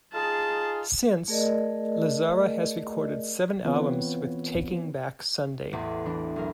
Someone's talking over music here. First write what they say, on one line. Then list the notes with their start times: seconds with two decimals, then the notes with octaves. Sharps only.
Since, Lazzara has recorded seven albums with Taking Back Sunday.
0.14 D#4 F4 G#4 A5
1.28 A3 G#4 A#4 D5 D#5
3.65 E3 B3 C4 F4 B4 C#5
5.73 A1 E2
6.06 E3 D4
6.36 B1 A#4